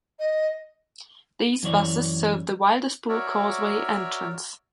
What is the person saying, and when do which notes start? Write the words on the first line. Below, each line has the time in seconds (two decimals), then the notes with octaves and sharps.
These buses serve the Wilderspool Causeway entrance.
0.19 D#5
1.63 F#2 E3 C#5 D5
3.09 F#4 A#4 C#5 D5 E5